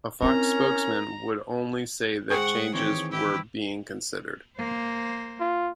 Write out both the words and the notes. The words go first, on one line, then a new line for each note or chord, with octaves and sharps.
A Fox spokesman would only say that changes were being considered.
C4 C#4 E4 A#4 A#5
G#2 G#4 C5 F#5 G5 C#6
D#3 E3 C4 G4 C#5
E4 G4
A#3 C5
F4